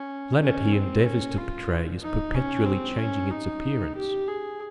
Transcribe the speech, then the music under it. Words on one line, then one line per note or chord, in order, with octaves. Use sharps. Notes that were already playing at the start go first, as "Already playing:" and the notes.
The Planet he endeavours to portray is perpetually changing its appearance.
Already playing: C#4
C#4
C4
C#4
F4
D#4
C#4
C4
C#4
D#4
G4
G#4